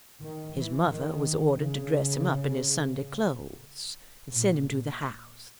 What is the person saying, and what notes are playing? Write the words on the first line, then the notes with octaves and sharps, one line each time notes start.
His mother was ordered to dress him up in his Sunday clothes, and send him to the house.
D#3
E3
D#3
C#3
A#2